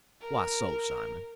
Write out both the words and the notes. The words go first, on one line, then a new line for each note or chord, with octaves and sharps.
"Why so, Simon?"
A#4